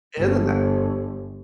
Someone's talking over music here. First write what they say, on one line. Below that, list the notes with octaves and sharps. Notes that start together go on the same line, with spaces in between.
Isn't that
G1